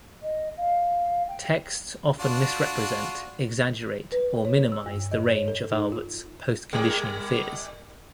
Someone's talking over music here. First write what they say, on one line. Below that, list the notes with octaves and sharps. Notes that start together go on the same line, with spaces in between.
Texts often misrepresent, exaggerate, or minimize the range of Albert's post-conditioning fears.
D#5
F5
G5
D4 F4 F#4
B4
C#5
E6
G2
D#5
C#5
A4
D#4
F4
G3 A#4